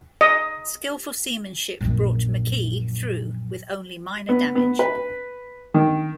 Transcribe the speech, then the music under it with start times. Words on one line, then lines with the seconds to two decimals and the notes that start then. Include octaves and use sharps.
Skillful seamanship brought "McKee" through with only minor damage.
0.21 D#5
1.81 A#1 F#2
4.29 B3
4.55 B3
4.79 B4
5.74 D#3